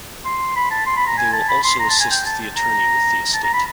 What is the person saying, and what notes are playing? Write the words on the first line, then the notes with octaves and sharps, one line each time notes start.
They will also assist the attorney with the estate.
C6
B5
A5
C6
B5
A#5
G#5
A5
B5
C6
A#5
A5
G#5
G5
A5
A#5
A5
A#5
B5